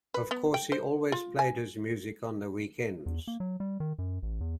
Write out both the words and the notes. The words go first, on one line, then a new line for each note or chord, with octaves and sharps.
Of course, he always played his music on the weekends.
B4
B3
G5
C5
F4
G#5
E2
A#3
F#3
G3
D#3
F#2
A1
E2